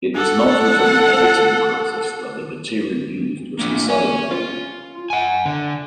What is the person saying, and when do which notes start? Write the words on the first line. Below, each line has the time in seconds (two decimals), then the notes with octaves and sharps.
It was not until the editing process that the material used was decided upon.
0.15 A4 F#5
3.59 A#3 D4
3.88 C#4 G#5
4.31 F4
5.10 F#5 G#5
5.46 D3